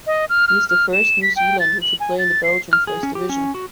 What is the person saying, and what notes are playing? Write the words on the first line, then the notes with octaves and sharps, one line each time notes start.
He is the first New Zealander to play in the Belgian First Division.
D#5
F6
F6
F6
E7
B6
G5
A6
F#7
G#5
A6
C7
F6
G#4
C#4
G4
C#4
F#4